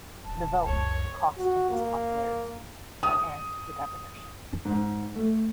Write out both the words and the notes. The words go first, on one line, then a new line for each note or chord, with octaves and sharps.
The vote cost him his popularity and the governorship.
D#1 A5
C#2 F#2 C#5
F#4
A#3
D#6
G#2
A3